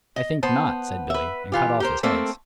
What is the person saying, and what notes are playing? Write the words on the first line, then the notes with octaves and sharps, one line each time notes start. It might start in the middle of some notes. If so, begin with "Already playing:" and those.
"I think not," said Billy, and cut off his heads.
D#5
B3 C5 A5
B4 E5
E3 F4 G4
G4 A#4 C5
A3 A#3 C4 A4